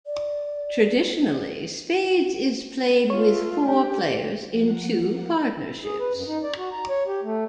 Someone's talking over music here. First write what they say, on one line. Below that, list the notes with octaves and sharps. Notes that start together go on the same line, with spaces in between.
Traditionally Spades is played with four players in two partnerships.
D5
A3 F4 C#5
D4 G4
F3 A#3 F#5
G#4
B4
F#2
D#4
D5
F#4
A#5
C#5
G4
A3